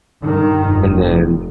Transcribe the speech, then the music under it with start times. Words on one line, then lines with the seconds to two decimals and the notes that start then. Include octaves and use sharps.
And then
0.21 G2 D#3
0.69 F1